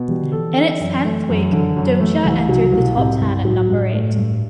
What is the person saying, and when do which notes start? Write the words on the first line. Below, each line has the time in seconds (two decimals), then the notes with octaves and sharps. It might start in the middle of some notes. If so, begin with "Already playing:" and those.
In its tenth week, "Don't Cha" entered the top ten at number eight.
Already playing: B2
0.08 E3 G3
0.22 D3
0.32 E3 A4
0.57 D4
0.80 F#2
1.05 A3
1.29 F#2
1.53 D3 E3
1.68 E3
1.77 F#2 F#3
2.00 E3 A3
2.24 C2 E3
2.49 C3 F#3
2.72 C2 B2
2.97 A2 C3
3.20 C2 G2
3.45 A2 F#3
3.69 G2
3.93 A3
4.16 G2